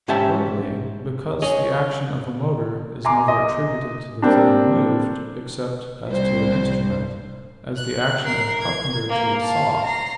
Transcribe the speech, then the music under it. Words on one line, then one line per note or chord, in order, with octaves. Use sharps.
Thirdly, because the action of a motor is never attributed to the thing moved, except as to an instrument; as the action of a carpenter to a saw.
G#2 C#4 G4 C5 E5 A5
G#4 C#5 D#5
G#5 A#5 C6 D6
D#5
G3 A#3 C4 D4
C2 C5
F#6
A#4 C7
G#6
A#3
F5 A5
A#5 C7